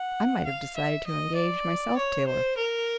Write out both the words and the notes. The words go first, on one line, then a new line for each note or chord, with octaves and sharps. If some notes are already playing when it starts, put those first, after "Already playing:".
I might have decided to engage myself to her.
Already playing: F#5
F5
E5
D#5
D5
C#5
C5
A#4